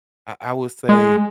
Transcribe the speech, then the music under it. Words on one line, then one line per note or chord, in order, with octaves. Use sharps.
I I will say
G#3